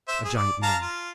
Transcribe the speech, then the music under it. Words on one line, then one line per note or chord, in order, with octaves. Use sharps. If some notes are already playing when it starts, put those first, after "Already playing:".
A giant man.
C5 E5
G#4
D5
F5 A5 A#5
F4